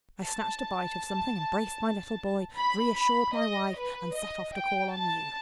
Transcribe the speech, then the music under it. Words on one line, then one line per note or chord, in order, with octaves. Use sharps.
I snatched a bite of something, embraced my little boy, reassured my wife and set off to call on you.
A5
B5
B5
D#5
B4
D#5
G5
A5